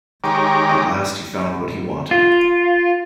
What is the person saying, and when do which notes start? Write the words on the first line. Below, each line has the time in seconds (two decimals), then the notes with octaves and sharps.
At last he found what he wanted.
0.24 D#3 G#3 G4 C#5 A#5 D6
2.11 F4